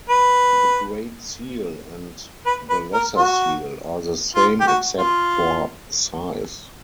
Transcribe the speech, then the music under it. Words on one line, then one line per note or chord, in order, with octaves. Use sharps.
The Great Seal and the lesser seal are the same except for size.
B4
B4
B4
A#4
F#4
F4
G4
F#4
F4